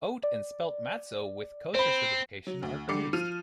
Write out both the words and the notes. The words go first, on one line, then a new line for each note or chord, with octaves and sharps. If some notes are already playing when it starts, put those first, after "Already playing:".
Oat and spelt matzo with kosher certification are produced.
D5
C4 C5 B5
F#3
D2
D3 G3 D6 C7 C#7
F3 F6 D#7 F7